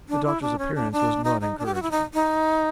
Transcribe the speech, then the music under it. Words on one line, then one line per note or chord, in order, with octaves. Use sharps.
The doctor's appearance was not encouraging.
D4
E4
D4
C#4
D4
D4
D#4
D#4
D4
G4
F#4
E4
D#4
D#4